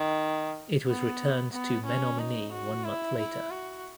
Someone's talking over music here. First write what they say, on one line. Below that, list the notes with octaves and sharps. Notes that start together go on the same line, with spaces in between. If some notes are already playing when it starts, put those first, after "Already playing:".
It was returned to Menominee one month later.
Already playing: D#3
B3
B3
C#4
D#4
F#4
E4
E4
F#4